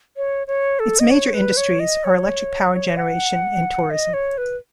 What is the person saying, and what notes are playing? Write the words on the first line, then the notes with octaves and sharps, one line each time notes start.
Its major industries are electric power generation and tourism.
C#5
C#5
A4
D#5
C#5
B4
C#5
D#5
C#5
F#5
D#5
C#5
B4